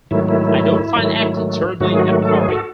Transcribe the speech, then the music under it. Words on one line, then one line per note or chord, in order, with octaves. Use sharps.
I don't find acting terribly empowering.
G#2 D#3 F#3 A3 E4
E4
G#2 D#3 F#3 A3
G#2 D#3 F#3 A3 F#4
G#4
F#4
A4
G#4
F#4 A4